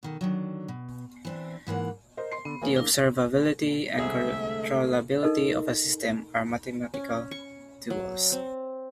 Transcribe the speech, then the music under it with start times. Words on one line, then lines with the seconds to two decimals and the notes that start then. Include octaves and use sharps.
The observability and controllability of a system are mathematical duals.
0.03 B2 D#3 A4
0.21 D3 D#3 F#3
0.68 B2
1.25 E3 C4 D4
1.67 G#2 E3 A#3 F#5
2.17 A#4 C5 D#5
2.31 C6 C7
2.45 D3 B3
2.62 A1 A#3 G#4 C#5
2.75 D4 E4 A#4
3.98 C2 D3 G#3 A3 G#4 E5
5.23 D#4 A4 A#4 D#5
6.94 C#4
7.31 C#6
7.90 F#3
8.32 C4